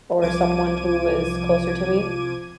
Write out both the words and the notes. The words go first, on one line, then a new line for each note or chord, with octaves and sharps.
or someone who is closer to me,
C2 F3 D6 G#6 D#7